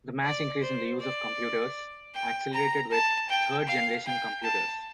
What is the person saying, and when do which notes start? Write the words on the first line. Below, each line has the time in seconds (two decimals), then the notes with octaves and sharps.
The mass increase in the use of computers accelerated with 'Third Generation' computers.
0.24 D5
0.62 C5
1.00 D5
2.15 G5
2.53 A#5
2.91 A5
3.29 G5
3.67 F5
4.06 G5
4.43 A5